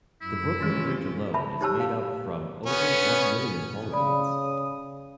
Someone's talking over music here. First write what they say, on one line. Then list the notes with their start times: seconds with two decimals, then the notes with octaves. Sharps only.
The Brooklyn Bridge alone is made up from over one million polygons.
0.22 F#2 E4
0.61 D#3 E3 G#3 C#4 F4
1.34 E5 A5 B5
1.61 D#4 G4 C5 C#5 A5 E6
1.80 F5
2.66 B3 C#4
3.92 C#3 D5 B5 D#6